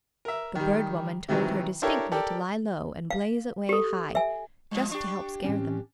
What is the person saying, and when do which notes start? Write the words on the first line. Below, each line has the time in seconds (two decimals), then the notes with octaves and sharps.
The Bird Woman told her distinctly to lie low and blaze away high, just to help scare them.
0.25 A#4 E5
0.55 D#3 G3
1.28 C3 D#3 E3 F#3
1.82 D4 E4 G4 A4 A#4 C#5
2.12 G4 A4 A#4 D5
3.10 F5
3.69 G4 A4
4.15 E5 G#5
4.71 A2 F3 G#3
4.91 D4 G4 C#6
5.44 A2 E3 C4 C#4